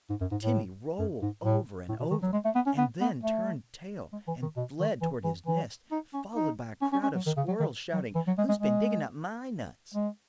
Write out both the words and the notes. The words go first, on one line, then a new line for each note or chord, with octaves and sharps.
Timmy rolled over and over, and then turned tail and fled towards his nest, followed by a crowd of squirrels shouting-- "Who's-been digging-up MY-nuts?"
G#2
F#2
G#2
A2
F#2
G#2
A2
A2
B2
D#3
F#3
G#3
A3
B3
C#4
B3
B3
A3
G#3
E3
D#3
B2
D#3
E3
E3
E3
D#4
C#4
D#4
C#4
C#4
C#4
F#3
D#3
C#3
F#3
D#3
F#3
E3
F#3
G#3
G#3
G#3
G#3